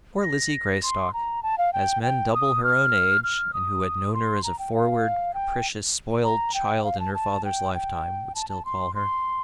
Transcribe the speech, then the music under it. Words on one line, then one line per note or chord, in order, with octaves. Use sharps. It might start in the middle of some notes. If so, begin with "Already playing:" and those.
Poor Lizzie Greystock!--as men double her own age, and who had known her as a forward, capricious, spoilt child in her father's lifetime, would still call her.
A#6
C6
A#5
A5
F5
G5
G5
D#6
F6
F6
D#6
C6
A#5
G5
F5
G5
A#5
G5
F5
A5
A5
G5
G5
A5
A5
C6
C6